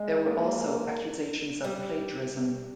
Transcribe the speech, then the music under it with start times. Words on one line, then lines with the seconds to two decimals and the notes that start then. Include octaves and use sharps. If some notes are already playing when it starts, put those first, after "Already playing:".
There were also accusations of plagiarism.
Already playing: G#3
0.28 A#3
1.64 G3